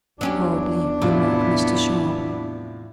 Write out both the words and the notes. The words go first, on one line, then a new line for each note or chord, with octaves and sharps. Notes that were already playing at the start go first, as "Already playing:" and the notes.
"Hardly," remarked Mr. Sharp.
E2 F#3 C#4 D4 G4
A2 C3 F#3 B3 E4 F4